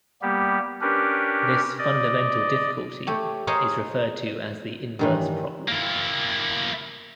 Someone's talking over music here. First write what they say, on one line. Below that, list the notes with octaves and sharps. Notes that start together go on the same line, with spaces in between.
This fundamental difficulty is referred to as the inverse problem.
G3 A#3 B3 G4
C#4 D4 G4 A#4 B4
D5 D#5
A3 G4 C#5
G#4 A#4 C5 C#5 D#5 F5
G2 D#3 E3
A#3 E4